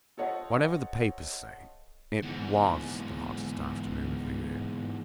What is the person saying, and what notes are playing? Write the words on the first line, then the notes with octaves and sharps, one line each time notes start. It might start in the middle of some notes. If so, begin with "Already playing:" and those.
Whatever the papers say, it was the hottest afternoon of the year.
F4 A4 C5 C#5 D#5 F#5
E2 G#2